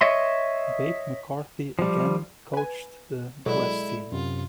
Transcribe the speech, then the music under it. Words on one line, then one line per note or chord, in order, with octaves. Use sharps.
Babe McCarthy again coached the West team.
C#5 D#5 E5 C6
F3 G3
B4 G#5
B2 F#3 G#3 E4 A4 D5
F#2 C3 F4